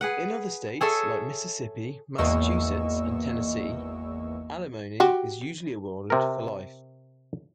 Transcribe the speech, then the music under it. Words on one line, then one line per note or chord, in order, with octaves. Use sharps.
In other states, like Mississippi, Massachusetts and Tennessee, alimony is usually awarded for life.
G#4 B4 F#5
G#4 A4 C#5 E5
G#1 E2 A#3 D#5 C#6 E6
F#4 G4
C3 A#4